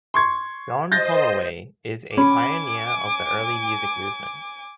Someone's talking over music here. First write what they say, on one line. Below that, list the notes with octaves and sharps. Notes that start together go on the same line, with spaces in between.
John Holloway is a pioneer of the early music movement.
C6 C#6 G#6
C5 D#5 G6 A6 A#6
C#4 G#5 B5 D6